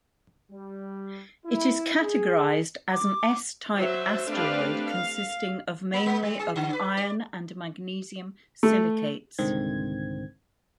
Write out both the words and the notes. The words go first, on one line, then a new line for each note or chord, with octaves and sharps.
It is categorized as an S-type asteroid consisting of mainly of iron- and magnesium-silicates.
G3
E4
G#4
D6
F#3 C5 E5
A3 C4 D4 G4 B4 F5
F5
A#3
A#3
G3
G#4
D3
B4
D5
A3
C2 G#2 D3 D#3 C4 G#6